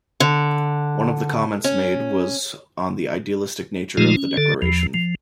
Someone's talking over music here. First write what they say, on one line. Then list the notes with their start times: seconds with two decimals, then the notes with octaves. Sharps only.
One of the comments made was on the idealistic nature of the Declaration.
0.20 D3
1.64 C#4
3.97 A#2 F3 G#3 A3 D#4 F4
4.16 C#4
4.37 D3 A4
4.62 E2 F3
4.94 F3